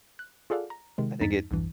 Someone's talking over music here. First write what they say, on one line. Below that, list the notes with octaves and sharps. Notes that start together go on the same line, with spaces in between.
I think it
F#6
F4 G#4 A4 D5 F5 F#5
A#5
C3 D#3 G#3
E2 G2 D#4 A6 B6
B1 E2 G2 E3